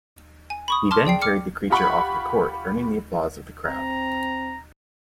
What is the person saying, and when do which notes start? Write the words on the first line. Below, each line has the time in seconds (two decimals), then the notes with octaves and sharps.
He then carried the creature off the court, earning the applause of the crowd.
0.50 G#5
0.68 B5 C#6 D#6
0.91 A5 C6 D6 F6
1.05 G#4 D5 G5 C7
1.22 D6 F6 C#7
1.70 F4 G4 F#5 B5 C#6
3.66 C4 A#5